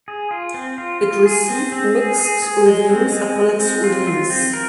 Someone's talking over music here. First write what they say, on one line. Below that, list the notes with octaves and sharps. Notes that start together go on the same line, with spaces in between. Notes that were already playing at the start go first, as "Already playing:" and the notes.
It received mixed reviews upon its release.
G#4
F4
C4
F4
F4
G#4
C4
C4
G#4
G#4
G#4
G#3
C4
G#3
G#3
C4
F4
F4
C4
A#4